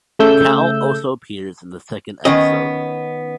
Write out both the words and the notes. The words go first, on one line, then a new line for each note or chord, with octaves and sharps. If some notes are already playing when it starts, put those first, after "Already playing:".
Cal also appears in the second episode.
C#3 A3 E6 G6
D#3 B3 C#4 D#5